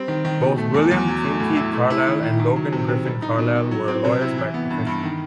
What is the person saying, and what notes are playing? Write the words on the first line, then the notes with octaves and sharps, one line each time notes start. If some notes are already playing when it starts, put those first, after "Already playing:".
Both William Kinkead Carlisle and Logan Griffin Carlisle were lawyers by profession.
Already playing: G3 C4
D#3
D#3
B2
A3
E2
E2
F#3
A3
A2
E4
A3
E4
D#3
D#3
D#3
F#3
C3
C3
G3
D#4
B2
B2
F#3
C4
C3
E4
E3
B3
G2
G2
D#3